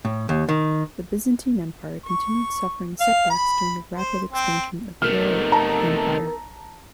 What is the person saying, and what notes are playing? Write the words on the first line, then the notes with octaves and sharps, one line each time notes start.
The Byzantine Empire continued suffering setbacks during the rapid expansion of the Arab Empire.
A2
D#2
D#3
C#6
F5
B5
C5
C4
C3 A3 B3 D#4 A4 A#4 F6
A5 A#5